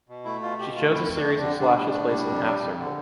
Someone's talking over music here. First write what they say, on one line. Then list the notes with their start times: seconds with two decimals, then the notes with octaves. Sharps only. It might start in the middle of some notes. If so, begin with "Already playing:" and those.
She shows a series of slashes placed in half-circle.
0.09 B2
0.25 A3 E4
0.42 B2 F4
0.59 B2 G4
0.75 A3 F4
0.93 F2 E4
1.09 A3
1.15 D4
1.27 F2
1.38 D3 D4
1.59 G3 D4
1.77 A2
1.93 A2
2.10 G3
2.27 F2
2.45 G3
2.62 F2
2.77 D3